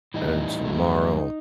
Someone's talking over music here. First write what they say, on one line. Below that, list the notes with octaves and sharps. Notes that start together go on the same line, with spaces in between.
"And tomorrow,
A2 E3 G3 D#4
G2 F#3 A3